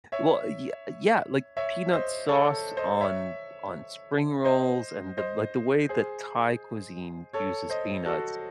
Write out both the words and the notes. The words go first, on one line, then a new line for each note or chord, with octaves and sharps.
Well, ye yeah, like, peanut sauce on on spring rolls and the like, the way that Thai cuisine uses peanuts.
C#5 E5
C#5 E5
C5 D#5
A4 C#5
C5 D#5
C#5 E5
C5 D#5
C5 D#5
G#4 C5
A4 C#5
C5 D#5
F#4 A4